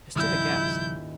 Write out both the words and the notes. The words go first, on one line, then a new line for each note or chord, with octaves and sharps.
I stood aghast.
D#1 G#2 C#3 F3 G3 E4 G6 A#6